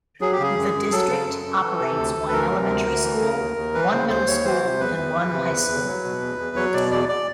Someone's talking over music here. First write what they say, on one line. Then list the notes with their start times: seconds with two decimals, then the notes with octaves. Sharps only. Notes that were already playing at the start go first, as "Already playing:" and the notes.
The district operates one elementary school, one middle school and one high school.
0.21 F#3 G#4
0.32 G4
0.39 C#3 G#4
0.57 F#2
0.75 F#2
0.92 F#3 A4
1.09 C#3
1.27 F#2
1.45 F#2
1.63 E3
1.80 C3
1.98 D2
2.16 D2
2.28 B4
2.33 E3 A#4
2.50 C3
2.68 D2
2.86 D2
3.04 E3
3.21 C#3
3.39 D#2
3.56 D#2
3.74 E3 B4
3.91 C#3 C5
4.09 D#2 C5
4.27 D#2 C#5
4.44 E3 C5
4.63 C3
4.79 E2 B4
4.98 E2
5.16 E3
5.33 C3
5.50 E2
5.68 E2
5.85 F#3
6.04 B2
6.21 E2
6.38 E2
6.56 F#3 C#5
6.74 B2 D5
6.91 E2 D5
7.09 D5